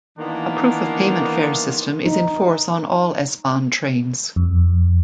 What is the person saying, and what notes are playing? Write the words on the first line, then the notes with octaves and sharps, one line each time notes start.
A proof-of-payment fare system is in force on all S-Bahn trains.
D#3 E3 A#3 B3 D4 F4
D#4
F2